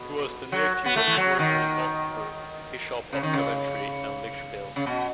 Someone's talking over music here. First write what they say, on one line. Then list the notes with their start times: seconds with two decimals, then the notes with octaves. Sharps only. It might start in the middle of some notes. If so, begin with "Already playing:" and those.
He was the nephew of Roger Northburgh, Bishop of Coventry and Lichfield.
Already playing: B2
0.52 F#3
0.86 B3
0.96 A3
1.07 E3
1.17 F#3
1.39 D#3
3.12 C#3
3.23 D#3
3.33 C#3
4.76 C#3
4.86 B2